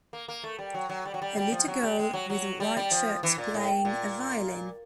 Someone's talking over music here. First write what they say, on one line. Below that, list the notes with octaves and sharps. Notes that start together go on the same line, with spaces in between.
A little girl with a white shirt playing a violin.
A#3
A#3
A3
G3
F#3
F#3
G3
F#3
G3
G3
F3
F#3
G3
G#3
F#3
F#3
G3
G3
F3
E3
A#2
A2
A#2